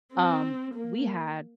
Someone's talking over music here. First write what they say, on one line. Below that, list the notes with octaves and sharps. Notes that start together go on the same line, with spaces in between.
um, we had
C4
A#3